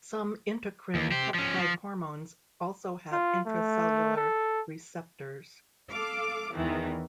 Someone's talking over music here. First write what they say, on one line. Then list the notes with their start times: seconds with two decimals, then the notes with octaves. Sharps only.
Some intracrine peptide hormones also have intracellular receptors.
0.95 D#2
1.12 G4 C5
1.34 F3 C#4
1.58 F3
3.12 F4
3.47 A3
4.17 A4
5.91 A4 F5 D6
6.54 E2 D#3 E3